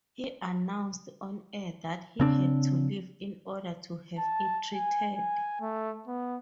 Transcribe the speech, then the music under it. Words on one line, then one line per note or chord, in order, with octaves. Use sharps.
He announced on-air that he had to leave in order to have it treated.
C#3 C4 D4
A5
G#5
G#5
A3
B3